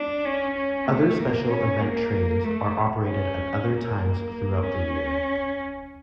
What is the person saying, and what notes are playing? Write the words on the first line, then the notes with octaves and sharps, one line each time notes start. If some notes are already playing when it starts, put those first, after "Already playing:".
Other special event trains are operated at other times throughout the year.
Already playing: D4
C#4
C#4
A3
A#3
C#4
A#3
A3
C#4
A#3
C#4